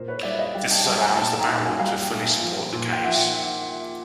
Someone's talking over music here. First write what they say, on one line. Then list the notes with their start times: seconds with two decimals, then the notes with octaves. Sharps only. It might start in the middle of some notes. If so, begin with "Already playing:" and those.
This allows the barrel to fully support the case.
Already playing: A#2 A#4 C5
0.08 B4 C#5
0.23 G3 D5 E5
0.39 D#5 F5
0.54 G3 F5 G5
0.70 G5 A5
0.85 G3 G5 A5
1.01 G#5 A#5
1.16 A#2 G5 A5
1.39 A#5
1.48 A#2 A5
1.66 G#5
1.79 G3 F5 G5
2.10 A#2
2.42 F3
2.73 A#2
2.92 G5
3.04 F3 E5 F#5